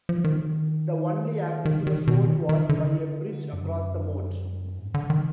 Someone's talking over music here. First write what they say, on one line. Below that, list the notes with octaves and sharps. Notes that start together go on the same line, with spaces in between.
The only access to the fort was by a bridge across the moat.
F3
D#3
D#3
D#3
B2
D#3
D#3
D3
F#2
G#2
D3
D#3